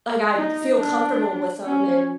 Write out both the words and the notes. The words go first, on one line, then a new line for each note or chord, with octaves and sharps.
like, I feel comfortable with 'em and,
D#4
D4
C#4